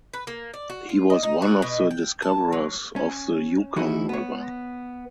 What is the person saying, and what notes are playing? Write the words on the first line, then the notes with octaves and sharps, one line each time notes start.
He was one of the discoverers of the Yukon River.
B4
A#3
D5
F#4
F4
D#5
D#4
F#4
B2
G5
A5
F#3
C#4
E3 D#4 E4 F#4 G#4 D#5
B3 C#5